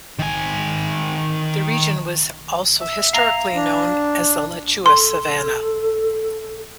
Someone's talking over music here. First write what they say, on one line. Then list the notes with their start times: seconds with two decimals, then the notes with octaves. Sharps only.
The region was also historically known as the Alachua Savannah.
0.19 D#3 G#5
2.80 E5
3.13 F5 A#5
3.55 D4
4.86 A4 C6